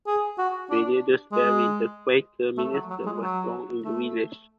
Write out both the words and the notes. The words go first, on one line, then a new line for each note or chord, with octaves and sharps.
William Dewsbury the Quaker minister was born in the village.
G#4
F#4
D4
G#3
A3
F#3
F#3
G#3
F#3
A3